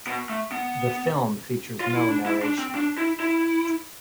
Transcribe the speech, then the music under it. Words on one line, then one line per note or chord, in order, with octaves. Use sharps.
The film features no narration.
B2
A3
B3
F4
E4
D4
E4
D4
C4
D4
E4
E4